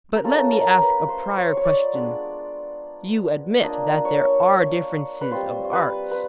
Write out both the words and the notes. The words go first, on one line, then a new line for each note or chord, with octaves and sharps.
But let me ask a prior question: You admit that there are differences of arts?
A#4
A3 C#4 F4 A4
A#4
B4
C5
C#5
C#5
D5
G#3 B3 D4 F4
A#3 D4 F4 D#5
C#5
B4
G3 C4 F4 C5
B4
B4